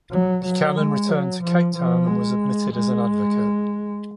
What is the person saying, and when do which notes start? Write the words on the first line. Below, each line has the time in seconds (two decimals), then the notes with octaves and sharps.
Buchanan returned to Cape Town and was admitted as an advocate.
0.11 F#3
0.44 F#3
0.76 G#3
1.09 F#3
1.42 F3
1.75 F3
2.07 G#3
2.72 G#3